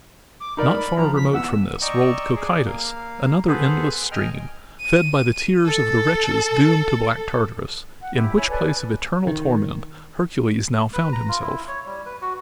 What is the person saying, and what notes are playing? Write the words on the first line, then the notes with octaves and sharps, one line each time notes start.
Not far remote from this rolled Cocytus, another endless stream, fed by the tears of the wretches doomed to Black Tartarus, in which place of eternal torment Hercules now found himself.
D6
D#4 A#4 D5 B5
F3 A#5
B6
E2 F#5 E6
D5 D#5 G5 A#5 C#6 E6
G#4 D5
A#3 F5
B3 G#4 A4 B4 C5
D#5 G5 G#5 F6
D#7
A4
F#5
E4 G4
E4 C#5 G#5
A4 B4 D5 G#5
D#3
B4
A#5
F4
E4
C#5
G3
B4
F#4